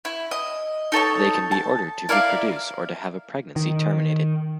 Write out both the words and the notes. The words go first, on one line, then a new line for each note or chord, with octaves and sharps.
They can be ordered to reproduce or to have a pregnancy terminated.
E4
D#5
D#4 A4 C#5 A5
A5
E4 A#4 D5 F5
D#3